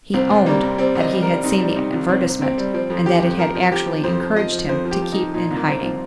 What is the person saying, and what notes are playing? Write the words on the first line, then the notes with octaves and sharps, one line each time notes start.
He owned that he had seen the advertisement, and that it had actually encouraged him to keep in hiding!
C2 C4
C2
G3 A#3
C3
G3 C4
C2
D#5
G3
A#4
G3
C3 D#4
G3
C3 D#4
C2
C2 C4
C2
C3 C4
G3
F3 C4
F2
F3 G4
F2
F3 A#4
F3
F3 G4
F3
F2 C5
F3
F3 D#5
F3
F2 C5
F3
G4
F3
D#4
F3
A#2 D#4
C2
A#3
C2 C4
F3